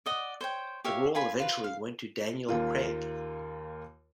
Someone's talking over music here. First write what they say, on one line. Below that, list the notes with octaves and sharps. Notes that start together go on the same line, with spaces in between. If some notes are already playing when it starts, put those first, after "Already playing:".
The role eventually went to Daniel Craig.
D5 D#5 F#5
C5 C#5 G5
G4 C#5 E5 F5
F4 G#5 B5
F4 B4
F5
D#2 A#3 F4